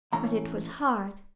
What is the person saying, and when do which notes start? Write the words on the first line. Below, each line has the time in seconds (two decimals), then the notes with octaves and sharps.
But it was hard.
0.13 A2 E3 A3 C#4 A#5